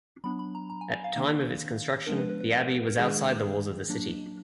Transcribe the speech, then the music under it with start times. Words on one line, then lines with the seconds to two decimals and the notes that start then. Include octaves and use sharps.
At time of its construction, the abbey was outside the walls of the city.
0.24 F#3 B3 D4 B5
0.39 B5
0.55 A#5
0.70 A#5
0.81 G#5
0.92 G#5
1.04 F5
1.16 D#3 A#3 D4
2.06 F3 G#3 B3 D4 A#4
2.18 B4
2.29 B4
2.41 B4
2.53 A#4
2.64 B4
2.87 A#4
2.98 D#3 G#3 D4 G#4
3.44 G#4
3.89 F#3 A#3 D4